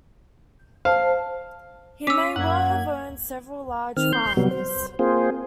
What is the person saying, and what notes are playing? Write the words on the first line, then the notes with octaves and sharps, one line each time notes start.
He may well have owned several large farms.
C5 F5 A5
C#4 D6 E6 B6
F#2 A#3 F#5 G#6
D#3 C4 F6
C6 G6
C3 F#3 G3 B3
C5
A#3 C4 F4 G#4 C5